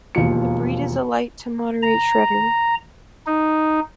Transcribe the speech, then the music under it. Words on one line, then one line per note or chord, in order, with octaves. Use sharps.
The breed is a light to moderate shedder.
E1 D#2 F3 C#7
A#5
D#4